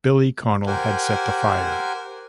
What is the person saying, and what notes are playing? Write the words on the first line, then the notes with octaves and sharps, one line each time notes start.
"Billy" Connell had set the fire.
G4 A#4 C5 F#5 G#5